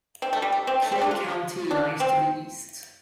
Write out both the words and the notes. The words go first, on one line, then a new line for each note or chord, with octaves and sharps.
Clay County lies to the east.
C4
A3
G3
A3
C4
A3
C4
D4
F4
D4
C4